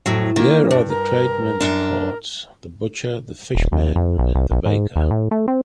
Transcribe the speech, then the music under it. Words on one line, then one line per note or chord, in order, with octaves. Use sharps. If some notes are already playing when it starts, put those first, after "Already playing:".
Here are the tradesmen's carts — the butcher, the fish-man and the baker.
F2 A2 F#3
D#3 A#3
G2 D4
A#4
F#2 D4
D#1
D#2
F2
B1
C2
B1
G#2
D#2
A2
A3
C4